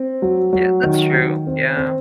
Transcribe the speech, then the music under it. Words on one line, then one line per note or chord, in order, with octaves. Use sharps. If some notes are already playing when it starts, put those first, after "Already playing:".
Yeah, that's true, yeah.
Already playing: C4
F#3
F#3
D#3
D#3
C4
C4